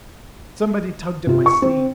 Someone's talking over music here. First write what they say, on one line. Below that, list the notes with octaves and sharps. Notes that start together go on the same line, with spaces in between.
Somebody tugged at my sleeve.
C3 F4
C#6
C4